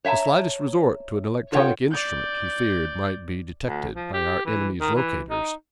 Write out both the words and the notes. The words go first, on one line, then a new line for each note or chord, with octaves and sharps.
The slightest resort to an electronic instrument, he feared, might be detected by our enemies' locators.
C#5 E5 F#5 A5 A#5
F4 A4 C#5 D#5 F#5 G5
D5 G6
D2
F3
G4
E3
D#3
E3
D#4